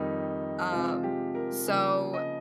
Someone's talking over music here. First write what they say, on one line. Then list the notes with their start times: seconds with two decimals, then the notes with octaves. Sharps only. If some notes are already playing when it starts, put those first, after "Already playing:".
Um, so,
Already playing: F2 D#3 G3 D#4
0.72 C3 F3 G#3 C4 F4
1.03 G4
1.35 A#4
1.66 C#3 F3 A#3
2.14 D#5